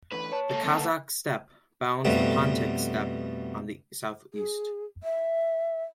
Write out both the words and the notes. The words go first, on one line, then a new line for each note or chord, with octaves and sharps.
The Kazakh Steppe bounds the Pontic steppe on the southeast.
A2 D3 E3 B4
C#5 A5
A#3 A4
F#3 C4 A#4
B1 B3
F2 B2 G3 A3
G#4
E5